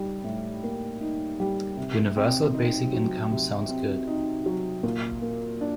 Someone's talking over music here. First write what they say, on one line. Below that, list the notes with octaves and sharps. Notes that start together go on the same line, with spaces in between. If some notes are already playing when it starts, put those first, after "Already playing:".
Universal basic income sounds good.
Already playing: G3 D#4
A2
A#3
D#4
G3
C3
C4
D#4
F#3
C3
C4
D#4
F#3
A#2
A#3
D4